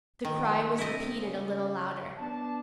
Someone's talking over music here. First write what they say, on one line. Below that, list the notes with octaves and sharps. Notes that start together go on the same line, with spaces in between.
The cry was repeated a little louder.
A#1 G2 D#3 G5
G2 C3 E4 D#5
C#3
B3 D4 A5